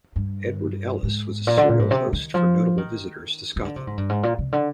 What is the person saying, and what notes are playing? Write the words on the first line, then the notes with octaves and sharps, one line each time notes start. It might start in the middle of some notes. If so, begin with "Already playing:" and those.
Edward Ellice was a serial host for notable visitors to Scotland.
G2
G#2
A#2
D3
A#2
G#2
C3
D#3
F3
D#3
D#3
D3
C3
G#2
G2
G#2
A#2
C3
D3